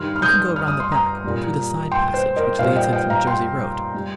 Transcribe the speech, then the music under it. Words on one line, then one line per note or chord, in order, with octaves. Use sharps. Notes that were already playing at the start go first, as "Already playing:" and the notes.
"You can go round the back through the side passage which leads in from Jersey Road."
Already playing: G2 D#3 G3 C6 F6
F6
D#6 G6
F6
D#6
C6
A#5 D#6
A#2 G3
G5 C6
C5
A#4 D#5
A#2 G3 C5 F5
D#5 G5
D#5 G5
F5 A#5
G5 C6
G3